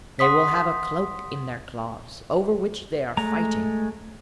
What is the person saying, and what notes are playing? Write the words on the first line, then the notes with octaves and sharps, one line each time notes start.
They will have a cloak in their claws, over which they are fighting.
F#5 C6 D#6 B6
G#3 A3 A#5